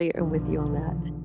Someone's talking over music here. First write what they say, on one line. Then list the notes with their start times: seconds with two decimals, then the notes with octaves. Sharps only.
am with you on that.
0.14 B1 E2 D3 F3